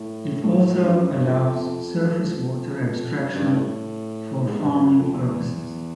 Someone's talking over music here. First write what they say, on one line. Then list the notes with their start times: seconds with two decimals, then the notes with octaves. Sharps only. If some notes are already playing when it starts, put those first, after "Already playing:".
It also allows surface water abstraction for farming purposes.
Already playing: A2
0.43 A2
0.82 G2
0.93 F#2
1.03 F#2
1.14 G2
1.24 F2
2.04 F2
3.25 F#2
3.35 G2
3.46 G2
3.55 A2
4.46 G#2
4.59 G2
4.73 F#2
4.86 F#2
4.99 F2
5.13 E2
5.27 E2